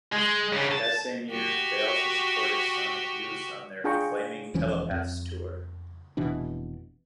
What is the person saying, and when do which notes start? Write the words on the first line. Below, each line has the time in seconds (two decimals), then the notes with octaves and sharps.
That same year, they also supported Sonic Youth on their "Flaming Telepaths Tour".
0.13 G#3
0.52 G2 C#3
0.71 A5
1.31 F#4 G4
3.84 D4 F4 G#4 G5 A#5 C#6
4.54 E1 E3 F3 C#4
4.91 F2
6.17 F1 B2 E3 D4